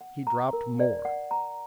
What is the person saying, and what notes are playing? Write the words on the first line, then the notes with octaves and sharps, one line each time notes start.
He dropped more.
F#5
A#5
A#4
D5
F#5
A#5